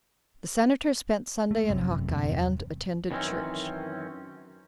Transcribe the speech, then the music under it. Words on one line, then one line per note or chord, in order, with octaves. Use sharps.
The Senator spent Sunday in Hawkeye and attended church.
A3
G#1 F#2 C3
E2 G2 C3
F#2 D#3 E3 G3 C4 C#4